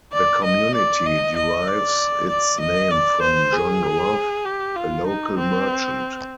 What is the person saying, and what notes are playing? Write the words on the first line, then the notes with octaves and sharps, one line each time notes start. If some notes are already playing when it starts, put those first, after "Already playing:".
The community derives its name from John Roth, a local merchant.
D5
D#5
D5
D#5
D#5
D5
D5
D#5
D5
C5
G#4
G4
F4
D#4
C4